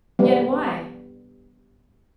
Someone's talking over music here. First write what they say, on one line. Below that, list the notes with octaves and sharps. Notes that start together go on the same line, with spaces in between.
Yet why?
G3 B3